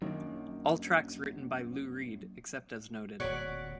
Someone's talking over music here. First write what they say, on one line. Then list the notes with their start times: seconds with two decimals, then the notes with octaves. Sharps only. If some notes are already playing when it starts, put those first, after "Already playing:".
All tracks written by Lou Reed except as noted.
0.02 F#2 D#3 F#3 A#3 D4
3.20 D1 A#2 F#4 C#5 D5 F#6 B6